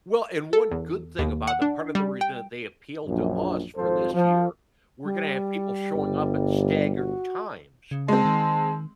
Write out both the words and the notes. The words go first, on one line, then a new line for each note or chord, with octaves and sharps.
Well, and one good thing about them, part of the reason that they appealed to us for this year, we're gonna have people showing up at staggered times.
A4
E2
D#2
F#5
D4
G3
G5
A#1 F#2
G#1 F2 F3 A4 C5
F3
G3
G1
F#4
C#3
G#3 C4 A5
D#3